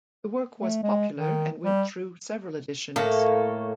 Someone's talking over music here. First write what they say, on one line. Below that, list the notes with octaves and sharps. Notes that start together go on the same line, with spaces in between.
The work was popular and went through several editions.
A3
G#3
D#3
G3
A2 A#3 A4 C#5